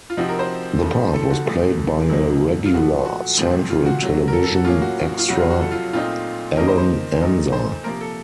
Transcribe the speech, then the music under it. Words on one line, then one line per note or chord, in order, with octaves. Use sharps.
The part was played by a regular Central Television extra Allan Anza.
F4
C3 F3 C4 D#4 F#4
A#4
C5
D#2 C#3 F3 A3
A4
F#4
C2 A#2 F3 A3
C2 C3 F#3 A#3 D#4
F4
A#2 F3 A3 F#4
F#4
C2 A#2 F3 A3 C4
F4
F#4
C3 F#3 A3
A#4
A4
A4
F#4
A2 F#3 A#3 C#4 F4
F#4
F#4
F4
F2 C3 F#3 F#4
F4
F#4
A4
F4
A#2 A3 C4 D#4 F4
D#2 D#3 A#3 D#4 A#4
C5
C5
A#2 A3 D#4 A#4
C5
C3 F3 A#3 A#4
A4